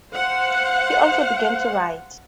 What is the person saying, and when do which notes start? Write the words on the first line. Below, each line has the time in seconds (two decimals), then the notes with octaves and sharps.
He also began to write.
0.12 C5 F5 F#5